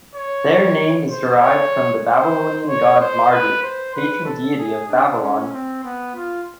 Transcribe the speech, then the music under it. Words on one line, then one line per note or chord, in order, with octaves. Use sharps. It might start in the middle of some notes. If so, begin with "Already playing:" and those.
Their name is derived from the Babylonian god Marduk, patron deity of Babylon.
C#5
C5
C#5
C5
C#5
C5
B4
C5
B4
A4
G#4
D4
C#4
C4
B3
F4